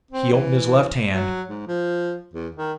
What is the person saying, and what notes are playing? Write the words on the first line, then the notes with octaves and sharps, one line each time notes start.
He opened his left hand.
C4
E3
F#3
G#2
F3
E2
D#3